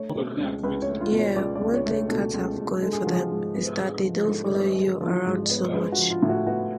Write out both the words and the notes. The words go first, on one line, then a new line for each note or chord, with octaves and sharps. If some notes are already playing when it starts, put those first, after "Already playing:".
Yeah, one thing cats have going for them is that they don't follow you around so much.
Already playing: A3 C#5
B2
C#2
C#2 B4
C#5
A3
F4
B2
C#5
C#2 D5
D5
C#2
C#5
A3
C#5
B2 A4
C#2
C#2
G#3 A4
G#4
F3 F#4
G#4
G#2
B3
G#3
F3
G#2 A4
B3
G#3
F3
G#2
B3
G#3 B4
F#4
F3
F4
A2
F#4
B3 F#4